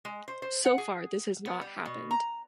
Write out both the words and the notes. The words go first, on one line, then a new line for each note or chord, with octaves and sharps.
So far this has not happened.
G#3
C5
C5
F#5
G#4
B3
G3
B2
A#5